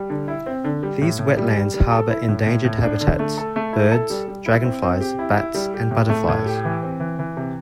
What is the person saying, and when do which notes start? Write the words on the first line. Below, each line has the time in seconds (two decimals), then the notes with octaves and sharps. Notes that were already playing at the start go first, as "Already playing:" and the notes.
These wetlands harbour endangered habitats - birds, dragonflies, bats and butterflies.
Already playing: G3
0.10 D3
0.28 E4
0.46 C4
0.64 D3
0.83 G3
1.01 A2
1.19 A2
1.37 G3
1.56 G3
1.74 G3
1.92 A4
2.10 E4
2.28 A2
2.46 A2
2.65 A2
2.83 D4
3.01 D3
3.19 A3
3.38 A4
3.56 A3
3.73 E4
3.92 A4
4.10 G3
4.28 G3
4.46 E4
4.64 C4
4.82 C4
5.01 G4
5.19 E4
5.37 E4
5.54 G3
5.74 G4
5.91 A2
6.09 A3
6.28 A2
6.46 G4
6.65 E3
6.83 C4
7.00 E3
7.19 E3
7.37 C3